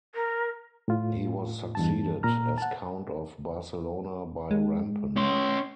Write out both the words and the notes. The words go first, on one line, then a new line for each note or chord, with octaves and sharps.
He was succeeded as Count of Barcelona by Rampon.
A#4
A2 F4
E2 G2 A5
A#2 A#5 F6
F#5 A5
G#3
C#4 C6